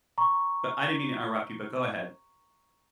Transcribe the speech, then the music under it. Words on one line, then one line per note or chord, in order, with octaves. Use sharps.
but I didn't mean to interrupt you but go ahead.
A#5 C#6